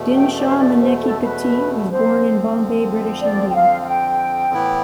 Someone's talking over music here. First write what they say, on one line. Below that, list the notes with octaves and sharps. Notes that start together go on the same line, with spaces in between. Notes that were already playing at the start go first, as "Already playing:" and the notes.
Dinshaw Maneckji Petit was born in Bombay, British India.
Already playing: E2 B2 A3
G5
D5
C5
D5
C5
A4
B4
F2 D3 F3 C4 C5
D5
G5
F5
F5
G5
A2 E3 B3 E4